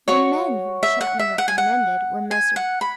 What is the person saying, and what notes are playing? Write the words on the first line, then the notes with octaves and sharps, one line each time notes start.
The men whom Chapman recommended were Messrs.
F#4 C#5 C#6
E5
F#5
E5
F#5
G#5
F#5
G#5
F#5
B5